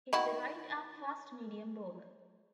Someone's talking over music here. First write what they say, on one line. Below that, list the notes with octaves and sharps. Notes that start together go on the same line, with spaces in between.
He is a right arm fast medium bowler.
D#3 E4 F#4